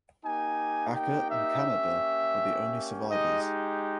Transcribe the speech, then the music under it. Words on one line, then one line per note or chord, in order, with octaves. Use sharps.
Acker and Canada were the only survivors.
A#3 D#4 G4 G#5
G5
E5
A#3 C#4 G4
G#3 D#4 G4 D#5